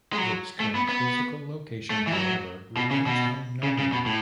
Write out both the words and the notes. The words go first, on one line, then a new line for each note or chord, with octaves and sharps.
Its current physical location, however, remains unknown.
G#3
F#3
A3
B3
B3
A3
E3
F#3
B2
C#3
B2
C#3
C#3
B2
A2